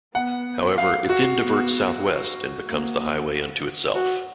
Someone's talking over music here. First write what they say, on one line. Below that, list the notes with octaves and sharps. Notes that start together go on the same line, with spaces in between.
However, it then diverts southwest and becomes the highway unto itself.
B3 F#5
F5
F#4
B3
A#3
F#4